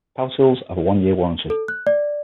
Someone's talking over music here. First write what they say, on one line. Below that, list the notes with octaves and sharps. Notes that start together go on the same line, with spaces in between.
Power tools have a one-year warranty.
A4
F#6
D5